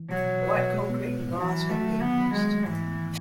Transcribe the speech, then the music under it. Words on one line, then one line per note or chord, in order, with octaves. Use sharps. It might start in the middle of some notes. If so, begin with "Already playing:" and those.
White concrete and glass have been used.
Already playing: E3
B2 F#3
B2
B4
B2
G#3
B3
B3
A2
E3 F#4
F#3
A3 F#4
F#3
D#3 B3
F#3
F#3 G#3
A3
G#2 E3
B3
D#3